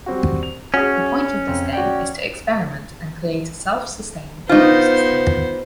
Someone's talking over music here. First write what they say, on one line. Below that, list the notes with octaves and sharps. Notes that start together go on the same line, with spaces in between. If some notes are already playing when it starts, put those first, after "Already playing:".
The point of this game is to experiment and create a self-sustaining ecosystem.
G3 C4 F#4
F7
C#4 F#4 G#4
F2
F#4 D5 G5
B3 D#4 F4 C5